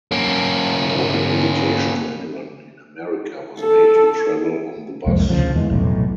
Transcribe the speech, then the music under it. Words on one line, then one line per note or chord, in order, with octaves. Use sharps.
An open invitation to anyone in America was made to travel on the bus.
A#3 C#4
A4
C2 F2 G#3 A#3
D2 C#3 F3
E2 E3 G#3
F1 B1 A2